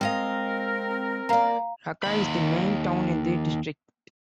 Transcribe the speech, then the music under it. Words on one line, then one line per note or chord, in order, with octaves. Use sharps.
Rakai is the main town in the district.
G#3 C4 A#4 D#5 F5 G5
A#3 D5 F5 A#5
D#2 B5